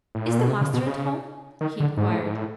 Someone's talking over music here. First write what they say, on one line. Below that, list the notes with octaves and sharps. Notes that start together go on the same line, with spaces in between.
"Is the master at home?" he inquired.
A2
A#2
B2
C3
C#3
B2
C#3
D#3
D3
G#2
A2
G#2
A2